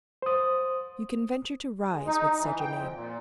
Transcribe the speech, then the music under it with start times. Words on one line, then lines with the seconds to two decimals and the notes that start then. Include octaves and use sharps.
You can venture to rise with such a name.
0.22 C5 D#6
1.91 G#3
2.06 D#4
2.40 E3
2.60 G5
2.74 F2
2.94 A#2